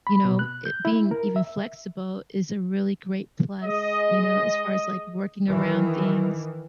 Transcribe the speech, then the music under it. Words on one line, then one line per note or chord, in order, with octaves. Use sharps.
you know, i being even flexible is a really great plus, you know, as far as, like, working around things.
B5
B2
F#6
G6
E4
A#4
E5
G#3 D#5
D#3 E3